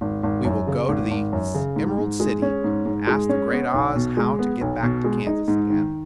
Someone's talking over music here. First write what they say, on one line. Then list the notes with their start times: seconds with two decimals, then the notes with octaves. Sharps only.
"We will go to the Emerald City and ask the Great Oz how to get back to Kansas again."
0.01 G#1
0.23 G#1
0.45 F#2
0.67 C#3
0.89 G#1
1.11 G#1
1.33 F#2
1.54 C#3
1.76 G#2
1.98 G#2
2.20 G#3
2.42 C#4
2.64 G#2
2.86 G#2
3.07 G#3
3.29 C#4
3.51 B3
3.74 B1
3.95 B2
4.17 G#3
4.39 B3
4.61 B1
4.83 B2
5.04 G#3
5.27 D#4
5.48 G#2
5.70 D#3